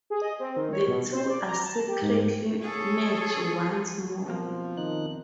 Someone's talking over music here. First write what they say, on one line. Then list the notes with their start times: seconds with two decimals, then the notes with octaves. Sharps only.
The two are secretly merged once more.
0.10 G#4
0.22 D#5
0.39 C4
0.56 D#3
0.73 C#5
0.88 B2
1.12 C5
1.30 D5
1.49 A#5
1.64 A5
1.88 G4
2.02 G#2
2.62 G#4 A4 C#5
4.26 F2 B2 F3 A#3
4.77 D#3 D#4 F#6